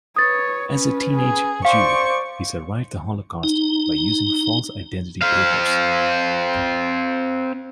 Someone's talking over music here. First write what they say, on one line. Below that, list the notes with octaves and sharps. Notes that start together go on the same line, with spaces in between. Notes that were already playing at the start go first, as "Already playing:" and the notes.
As a teenage Jew, he survived the Holocaust by using false identity papers.
B4 C#5 D#6 A6
C#4 B4
G#4
C5 D5 F5 C#6
D#4
C4 F5